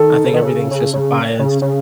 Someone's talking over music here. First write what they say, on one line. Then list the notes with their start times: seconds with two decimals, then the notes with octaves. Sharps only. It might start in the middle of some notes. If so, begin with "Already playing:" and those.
I think everything's just a bias.
Already playing: D#3 A4
0.25 C#3
0.34 D#3
0.42 C#3
0.71 C#3
0.93 C#3
1.39 C#3
1.62 C#3